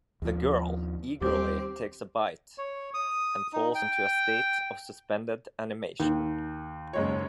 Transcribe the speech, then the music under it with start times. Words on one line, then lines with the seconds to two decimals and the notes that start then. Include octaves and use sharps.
The girl eagerly takes a bite and falls into a state of suspended animation.
0.22 D#2 F3
1.21 D#2 G3 C4 G4
2.58 C#5
2.94 D#6
3.53 D#4
3.75 G5
6.00 D#2
6.93 F#1 G#3 C#5